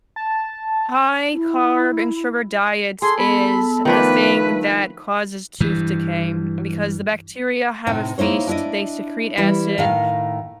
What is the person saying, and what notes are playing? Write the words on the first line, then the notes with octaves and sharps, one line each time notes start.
high-carb-and-sugar diets is the thing that causes tooth decay because the bacteria have a feast, they secrete acid,
A5
E4
G#4 A4 C6
B3 B5
D#3 F3 A3 D4 B4
G2 E3
A2 C3 C4 D#4
A#3 D#4 E4 C5 C#5
D4 E4 D#5
E3 G3 E4
A2 D#3 F5